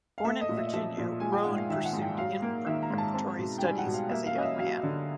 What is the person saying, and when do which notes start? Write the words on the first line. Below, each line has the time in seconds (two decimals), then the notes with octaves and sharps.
Born in Virginia, Roane pursued in preparatory studies as a young man.
0.18 F5
0.25 A3 E5
0.41 D#5
0.49 A#2
0.57 E5
0.67 D#5
0.73 F3 E5
0.98 A#2
1.20 G#3 G#5
1.32 G5
1.44 G#2 F#5
1.57 F5
1.69 D#3 E5
1.85 F#5
1.93 G#2
2.02 G5
2.18 F#3 F5
2.42 A#3
2.66 D#3 E5
2.82 A#5
2.90 G#2
2.98 A5
3.14 C4 A5
3.38 B2
3.58 G5
3.62 G3 G#5
3.78 F#5
3.86 B2
3.94 F5
4.10 A#3 E5
4.27 F5
4.35 C#4 D#5
4.42 E5
4.59 F#3 F5
4.83 D3